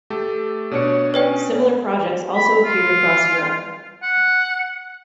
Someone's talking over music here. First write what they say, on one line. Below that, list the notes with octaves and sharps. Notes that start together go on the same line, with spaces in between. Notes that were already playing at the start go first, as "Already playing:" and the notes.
Similar projects also appeared across Europe.
A3 G4 A4
B2 D4 C#5 C#7
C#4 B4 D5 G5
B5
F4
F#5